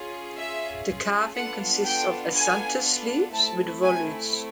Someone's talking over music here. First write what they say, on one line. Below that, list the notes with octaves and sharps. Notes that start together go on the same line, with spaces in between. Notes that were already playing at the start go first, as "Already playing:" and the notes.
The carving consists of acanthus leaves with volutes.
Already playing: C#4 F4 G#4
E5
B3 D4 F4 A4 F#5
G5
G#5
A3 C4 E4 A5
G#5